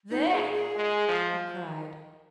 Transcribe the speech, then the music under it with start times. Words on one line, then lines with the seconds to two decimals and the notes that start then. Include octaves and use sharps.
"There!" he cried.
0.11 A#2 D#4
0.32 G#4
0.54 G#4
0.76 G#3
1.08 F3